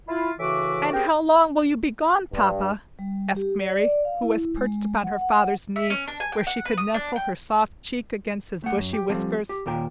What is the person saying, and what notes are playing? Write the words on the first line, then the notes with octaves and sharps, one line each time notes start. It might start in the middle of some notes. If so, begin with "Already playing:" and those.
"And how long will you be gone, papa?" asked Mary, who was perched upon her father's knee, where she could nestle her soft cheek against his bushy whiskers.
E4 F4
A2 C#3 E3 F#4 E5 D6
G4 G#4 A#4 C5 G5
G2
G3
G4
D5
D5
F5
E4
G#3
F#5
F#5
E5
C#4
D4
G#5
G5
F#5
B4
D#6
D4
G5
A3 F#5
F#2
G4
F3 G3 C4 A4
G4
D#2 A#2 A#4 G5